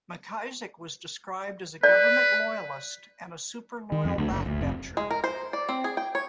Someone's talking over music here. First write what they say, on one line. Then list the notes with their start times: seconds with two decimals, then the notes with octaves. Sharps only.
McIsaac was described as a 'government loyalist' and a "super loyal backbencher".
1.83 B4 D5
3.92 D#3
4.05 F2
4.18 D2
4.30 F#1
4.46 D2
4.61 F1
4.97 G#3
5.11 A#4
5.24 C5
5.53 D5
5.69 C4
5.84 G#4
5.97 G5
6.15 C#5